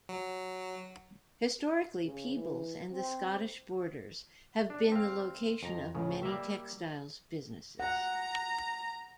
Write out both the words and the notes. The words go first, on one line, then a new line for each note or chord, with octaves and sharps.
Historically Peebles and the Scottish borders have been the location of many textiles businesses.
F#3
C#3
E3
C4
D4
C4 F5
F2 A#5
C#2 A2 C#3
G3 A#3 E5
F#5 A#5